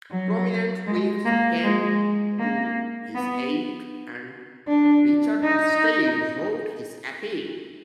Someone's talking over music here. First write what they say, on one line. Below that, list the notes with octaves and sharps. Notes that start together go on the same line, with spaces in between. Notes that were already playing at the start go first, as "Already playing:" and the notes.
Prominent Whigs came to his aid, and Richard Steele wrote his appeal.
F#3
G#3
A#3
G#3
A#3
B3
D4
D#4